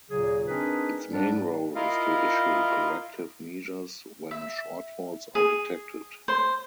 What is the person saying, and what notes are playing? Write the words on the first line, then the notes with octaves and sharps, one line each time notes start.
Its main role is to issue corrective measures when shortfalls are detected.
D#2 A#2 C#3 F#3 G#4
C4 D4 D#4 G#4 A#4 B4
G#2 G3 D4
E4 F4 A#4 D#5 F5
E5
G#4
C5